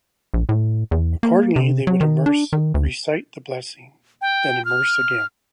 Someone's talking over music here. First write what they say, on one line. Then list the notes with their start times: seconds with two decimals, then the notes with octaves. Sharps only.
Accordingly, they would immerse, recite the blessing, then immerse again.
0.34 A#1
0.49 A2
0.91 E2
1.23 A#3
1.56 C3
1.87 F#3
2.01 D#3
2.26 D4
2.53 D#3
2.74 D2
4.21 G5
4.65 F6